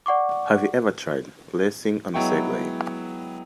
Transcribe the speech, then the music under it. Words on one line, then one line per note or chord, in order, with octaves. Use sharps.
Have you ever tried racing on a Segway?
D5 F#5 C#6 D6
F#3 G#3 B3 E4 G5 C#6